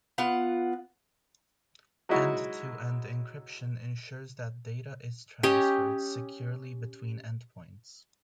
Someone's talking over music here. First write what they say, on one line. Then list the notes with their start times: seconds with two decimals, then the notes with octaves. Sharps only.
End-to-end encryption ensures that data is transferred securely between endpoints.
0.18 B3 F4 F#5
2.09 F#3 G#3 D#4 E4 F#4
5.43 C#4 G4 C#5 D#5